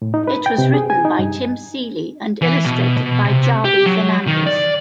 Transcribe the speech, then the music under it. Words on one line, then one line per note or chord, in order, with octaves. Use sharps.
It was written by Tim Seeley and illustrated by Javi Fernandez.
A2
D#4
B4
G5
C3
G#4
G#5
D#4
G2
E3
B2
B2
C3
G4
F#3
D#3
D5